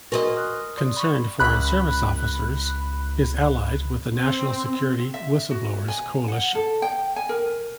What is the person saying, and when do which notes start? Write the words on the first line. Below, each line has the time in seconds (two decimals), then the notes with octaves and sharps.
Concerned Foreign Service Officers is allied with the National Security Whistle Blowers Coalition.
0.12 F#4 A#4 B4 D#5 G#5 C6
0.36 D#6 F6 F#6
0.78 D5 C6 D#6
0.97 B5 C#6
1.40 C#2 B5 F#6
4.17 C4
5.14 E5
5.51 F#4
5.88 G#5
6.28 F#5
6.55 A4
6.82 G5
7.16 G#5
7.29 A#4